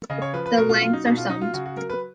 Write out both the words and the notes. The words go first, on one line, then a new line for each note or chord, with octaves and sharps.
The lengths are summed.
C#3 D#5
C#5
F3 B4
B4
B2 A#4
F4
F#3 F4
D#4
B2 D#4
F4
F#3 D#4
F4
C#3 F#4
F#4
F#3 A#4
B4